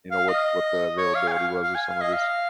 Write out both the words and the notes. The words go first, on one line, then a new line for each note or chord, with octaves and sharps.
you know, what what the availability was of some of this.
F5
D#5
C#5
F5
G#5
F5
F5
G#5
F5
D#5
F5